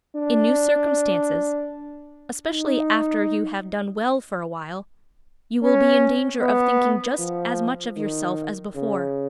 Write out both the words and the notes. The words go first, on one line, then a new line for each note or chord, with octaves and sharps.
In new circumstances, especially after you have done well for a while, you will be in danger of thinking just as much of yourself as before.
D4
D#4
C#4
B3
F3
D#3
C#3